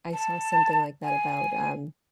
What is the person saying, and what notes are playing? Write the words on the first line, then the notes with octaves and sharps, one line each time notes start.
I saw something like that about, um
A5
G#5